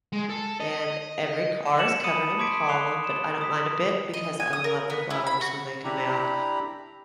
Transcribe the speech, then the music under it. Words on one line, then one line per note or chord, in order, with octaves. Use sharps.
and every car is covered in pollen, but I don't mind a bit because I love the flowers when they come out.
G#3
A4
D#5
A5 D6 C#7 E7 F#7
A5 B5 D#6 C#7 D#7
A5 C6 D6 G#6 B6 D7
D#6 F#6 C7 F7 G7
E7
D#6 B6
D#5
G#5
D#6
A#4
B3
E4
B5
F#4
D4 E4 G4 A#5 B5